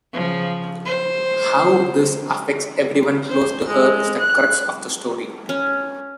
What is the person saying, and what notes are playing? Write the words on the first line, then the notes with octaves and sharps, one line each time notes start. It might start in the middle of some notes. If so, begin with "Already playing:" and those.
How this affects everyone close to her is the crux of the story.
C#3 F3
C5
C5
G#3
F#6
C#4